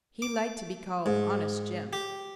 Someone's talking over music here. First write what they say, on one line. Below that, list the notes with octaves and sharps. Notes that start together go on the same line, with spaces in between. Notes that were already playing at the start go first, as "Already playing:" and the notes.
He liked to be called Honest Jim.
D6
G#2
G4